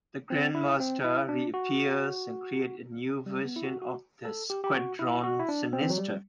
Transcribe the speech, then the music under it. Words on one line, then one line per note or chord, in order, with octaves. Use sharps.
The Grandmaster reappears and creates a new version of the Squadron Sinister.
C4
E4
C4
E4
D4
F#4
G3
B3
E4
F#4
F#4
A4
G4
G4
F#4
E4
F#4
E4
D4
C4
E3
F#3
G3